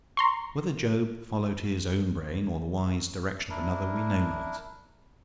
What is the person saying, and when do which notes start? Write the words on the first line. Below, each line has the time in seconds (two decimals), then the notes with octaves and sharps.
Whether Job followed his own brain, or the wise direction of another, we know not.
0.17 A#5 C6 C#6
3.50 D4 E4 A#4